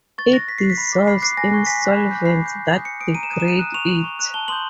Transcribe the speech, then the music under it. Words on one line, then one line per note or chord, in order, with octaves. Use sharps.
It "dissolves" in solvents that degrade it.
C#6 A6
F#6 A#6
C#6 B6
C7
F#6
B6
B5
D6 F#6
B5 C7
D6 F#6 C7
G#5 A#6
C#6 F#6
G#5 B6
C#6 F#6
B5
D6 G6
B5 C7
D6 G6
B5
D#6 G6
B5 C#7
D#6 G6 D7
A#5 D#7
E7
D#6 F#6 D#7
E7
A#5 D#7
D#6 F#6
C#6 F7
F#6
C#6
F#6
A5 G7
C6 D#6 G6 F#7